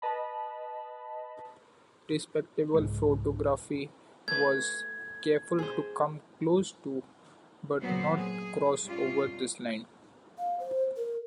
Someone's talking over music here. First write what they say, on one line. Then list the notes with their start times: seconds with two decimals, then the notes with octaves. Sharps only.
"Respectable" photography was careful to come close to, but not cross over, this line.
0.02 B4 D#5 A5 B5
2.74 C2 G#2 C#3 G#3
4.28 A3 B4 G#6
5.59 G#4 C5
7.79 A#2 F#3 B3 F#4 C5
8.16 G#4
8.84 G3 C#4 F4
10.38 F5
10.60 C5
10.96 A#4